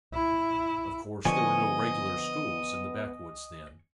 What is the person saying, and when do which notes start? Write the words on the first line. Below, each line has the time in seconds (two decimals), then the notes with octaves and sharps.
Of course, there were no regular schools in the backwoods then.
0.14 E4
1.25 D3 F3 B3 D#5 G#5 C#6